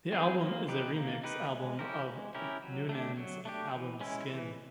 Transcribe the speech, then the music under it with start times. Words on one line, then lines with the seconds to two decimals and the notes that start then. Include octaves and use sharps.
The album is a remix album of Noonan's album "Skin".
0.12 C4 E4 G#4 C5
0.41 A#3
0.68 D#4 G4 B4
0.96 A#3
1.23 D#4 G4 B4
1.52 G#3
1.79 C#4 E4 G4 A#4
2.07 G#3
2.35 C#4 E4 G4 A#4
2.62 F#3
2.89 A3 D4 G4
3.17 F#3
3.45 A3 D4 G4
3.73 E3
4.01 G#3 C#4 E4
4.28 E3